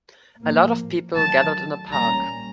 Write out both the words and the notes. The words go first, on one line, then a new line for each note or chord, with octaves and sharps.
A lot of people gathered in a park.
A2 F3 A#3
D#3 F#3 A3 A5
A#2 G3 A#3 C#4 A#5